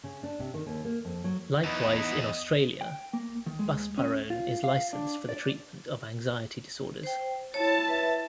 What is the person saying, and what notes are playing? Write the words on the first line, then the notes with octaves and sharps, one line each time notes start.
Likewise in Australia, buspirone is licensed for the treatment of anxiety disorders.
C#3
D4
C3
D#3
D#2
A#3
F2
F#3
E2 B3 D#4 E4 D#5
G5
A#3
D#3
G#3
C#4
F4
F5
D4
D5
C5 G5
E4 C#5 A5
B4 E5